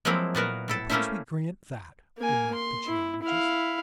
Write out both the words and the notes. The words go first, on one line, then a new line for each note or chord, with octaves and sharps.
"Suppose we grant that," remarked the geologist.
F3 F#3 G#3 A#3 C4 E4
A#2 B3 F#4 A#4
A2 E4 A4
A3 A#3 C#4 E4 C5 E5
A#3 G#5
C6
E4
E4 F5